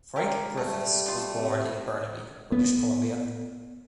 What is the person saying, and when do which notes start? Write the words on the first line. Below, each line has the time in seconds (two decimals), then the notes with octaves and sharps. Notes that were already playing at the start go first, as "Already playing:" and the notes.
Frank Griffiths was born in Burnaby, British Columbia.
0.16 G4 A#4
0.57 G3 A3
1.06 A3 F4
1.35 C3
2.52 B3